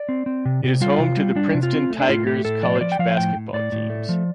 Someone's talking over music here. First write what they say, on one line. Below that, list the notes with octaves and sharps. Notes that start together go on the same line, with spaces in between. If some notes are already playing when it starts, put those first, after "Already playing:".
It is home to the Princeton Tigers college basketball teams.
Already playing: D5
C4
C4
C3
C3
G3 F4
C3
G3
G3 D4
C3
F4
C4
A3
D4
A2 F4
A3 G4
A2 A4
F3 D5
C5
F3 D5
G5
F3 F5
A2 G5
A2
A2 D5
A2
A3
F3